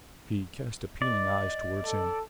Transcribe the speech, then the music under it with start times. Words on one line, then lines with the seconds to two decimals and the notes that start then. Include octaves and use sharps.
She cast appealing eyes toward him.
1.02 D5 D#5
1.84 A4